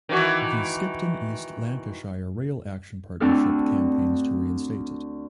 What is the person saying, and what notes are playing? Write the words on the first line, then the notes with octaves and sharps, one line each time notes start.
The Skipton-East Lancashire Rail Action Partnership campaigns to reinstate it.
D#3 E3 F#4
D2 C4 D4 A4 F6